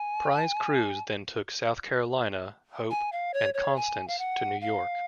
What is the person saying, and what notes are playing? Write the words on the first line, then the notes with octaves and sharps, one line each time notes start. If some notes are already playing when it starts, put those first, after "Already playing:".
Prize crews then took "South Carolina", "Hope" and "Constance" to New York.
Already playing: G#5
G#5
F5
C#5
C#5
G#5
F5
F#5
F5